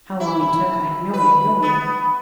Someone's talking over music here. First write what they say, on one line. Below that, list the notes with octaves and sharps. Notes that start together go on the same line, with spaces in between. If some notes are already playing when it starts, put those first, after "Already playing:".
How long it took I have no way of knowing.
E4
B4
B3